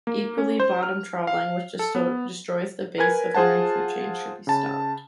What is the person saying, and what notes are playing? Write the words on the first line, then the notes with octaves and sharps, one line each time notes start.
Equally, bottom trawling, which destroys the base of marine food chains, should be stopped.
A#3
C#4
C5
F6
F5
A4
B3
A#4 B4 G#5 G#6
F4 G#4 C5 F#5 A5
C#3 A5